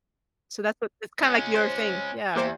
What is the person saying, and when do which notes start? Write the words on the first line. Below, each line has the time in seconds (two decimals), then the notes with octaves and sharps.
So, that's what it's kinda, like, your thing, yeah.
1.23 G#3 C#4
1.54 C5
2.35 E2 A#3 G4 C5